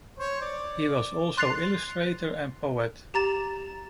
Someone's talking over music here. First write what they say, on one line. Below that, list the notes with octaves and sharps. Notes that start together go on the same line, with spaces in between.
He was also illustrator and poet.
C5 C#5
D5
C6 F#6 A6 C7 F7
G4 A#5 A6 E7